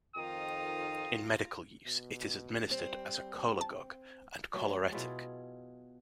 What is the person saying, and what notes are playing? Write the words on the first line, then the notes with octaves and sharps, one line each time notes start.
In medical use, it is administered as a cholagogue and choleretic.
F2 D#3 F4 G5 A#5 D#6
B2
G3 C4
G6
A5
F#3 A3
B2 E4 F4 G#4